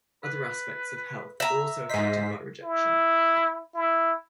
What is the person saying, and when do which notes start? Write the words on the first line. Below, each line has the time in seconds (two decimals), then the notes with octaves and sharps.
Other aspects of health are also affected by rejection.
0.24 B4
1.40 E5 A#5
1.90 G#2 C5 D#5 B6
2.63 E4
3.75 E4